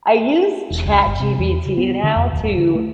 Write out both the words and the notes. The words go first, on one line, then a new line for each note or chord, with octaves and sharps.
I use ChatGPT now to
E1
C#2
G1
C3
E2
C#3
B3
D3
F2
D1
D3
A3